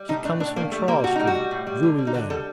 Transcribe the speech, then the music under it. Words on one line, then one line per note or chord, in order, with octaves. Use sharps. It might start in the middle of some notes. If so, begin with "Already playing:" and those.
She comes from Charles Street, Drury Lane!'
Already playing: G3
A2 D#4
A2 D4
A2 D4
A2 A#3
G3 A3
G3 A#3
A2 F#4
G3 D#4
F#4
G3
A2
G3
D3
G3
D#4
D3 F#4
G3 A4